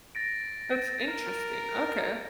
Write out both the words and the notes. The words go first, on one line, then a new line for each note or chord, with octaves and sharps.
That's interesting, okay.
A6 A#6 D7
A#4 A6